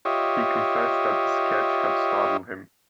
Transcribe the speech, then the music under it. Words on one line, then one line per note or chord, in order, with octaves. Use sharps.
He confessed that the sketch had startled him.
F4 G4 C#5 D#5 E5